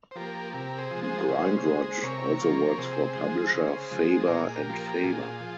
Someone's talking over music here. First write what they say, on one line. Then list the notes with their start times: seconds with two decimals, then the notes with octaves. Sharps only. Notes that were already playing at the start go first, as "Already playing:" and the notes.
Grindrod also works for publisher Faber and Faber.
0.11 C5
0.16 F3 A#3 G4 A#4
0.53 C3 G4 A#4
0.78 G#4 C5
0.91 F3
0.96 G#3
1.04 G#4 C5
1.28 C#3 G#4 C5
1.66 G#3
2.03 C3 A#4 C#5
2.41 F3 A#3
2.65 C#5
2.78 C3 G#4 C5
3.16 F3 G#3
3.54 C#3
3.91 F3 G#3
4.28 A#2 A#4
4.41 G#4
4.55 G4 A#4
4.66 F3 A#3
5.04 A#2 F4 G#4
5.40 F3